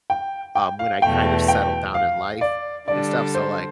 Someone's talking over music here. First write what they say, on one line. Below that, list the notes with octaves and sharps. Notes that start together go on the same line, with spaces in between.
um, when I kind of settled down in life and stuff, so like
G5
G5
F5
E2 B2 A3 G5
G5
F5
D5
D3 G3 D4 A4 D5
C5